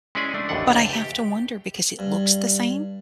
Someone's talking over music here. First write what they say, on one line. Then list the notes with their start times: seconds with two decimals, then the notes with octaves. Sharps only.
but I have to wonder because it looks the same,
0.15 G#3 C#4 E4 G#4 D5 G#5
0.34 A3 D4
0.49 A1 D#2 A2 D4 F#5
0.67 C#2
0.89 G4 G5
1.99 G2